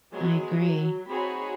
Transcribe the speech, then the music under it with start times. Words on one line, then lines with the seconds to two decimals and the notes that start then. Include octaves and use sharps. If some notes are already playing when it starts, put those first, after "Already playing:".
I agree.
0.13 F#3 G#3 B3 G#4
0.48 F#3
1.09 C4 D#4 F#4 G#4 C#5 B5